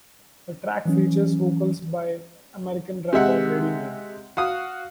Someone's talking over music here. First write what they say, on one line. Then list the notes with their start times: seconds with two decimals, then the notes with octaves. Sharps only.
The track features vocals by American rapper Lady May.
0.85 E3 F#3 C#4
3.13 C3 G#3 E5 F#5
4.37 F#4 F5 D#6